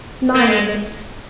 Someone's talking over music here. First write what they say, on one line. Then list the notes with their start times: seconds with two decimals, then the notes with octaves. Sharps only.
Nine minutes.
0.35 A#3
0.47 G#3